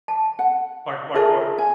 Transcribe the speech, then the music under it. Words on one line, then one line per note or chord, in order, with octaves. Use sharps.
like like what?
A5
F#5
F4 G#4 A#4 E5 A5
G#5